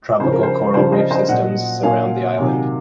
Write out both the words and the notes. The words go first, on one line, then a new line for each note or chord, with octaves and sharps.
Tropical coral reef systems surround the island.
C#3 F3 C5
A#4
C5
C#3 F3 C5
C5 D#5
C5 D#5
A#2 F#3 D#5 F#5
A#2 F#3 F5 G#5
C3 D#3 F#3